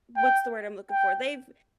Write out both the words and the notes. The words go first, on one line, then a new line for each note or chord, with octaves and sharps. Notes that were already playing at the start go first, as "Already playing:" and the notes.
what's the word I'm looking for they've
G5
G5